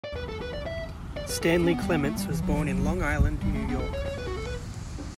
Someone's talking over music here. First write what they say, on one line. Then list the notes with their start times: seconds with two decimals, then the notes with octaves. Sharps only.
Stanley Clements was born in Long Island, New York.
0.04 D5
0.16 B4
0.29 A4
0.42 B4
0.54 D5
0.66 E5
1.17 D5
1.30 B4
1.42 A4
1.54 A4
1.64 C#4
1.73 B3
1.82 G3
1.92 B3
2.05 A3
2.17 G3
2.30 E3
2.42 F#3
2.55 E3
2.68 F#3
3.42 G3
3.55 A3
3.69 B3
3.80 A4
3.94 C#5
4.06 C#5
4.18 B4
4.27 F#4
4.37 A4
4.47 B4